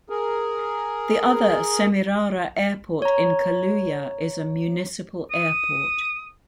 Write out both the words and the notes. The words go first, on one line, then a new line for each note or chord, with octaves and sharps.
The other, "Semirara Airport" in Caluya is a municipal airport.
G#4 A#4
C#5 A#5
D#6